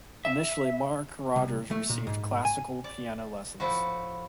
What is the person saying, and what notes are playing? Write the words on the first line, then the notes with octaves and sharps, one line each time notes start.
Initially Mark Rogers received classical piano lessons.
E5
C2
A3
A#2
G#2
G#5
D5
A2 F3 E4 F#4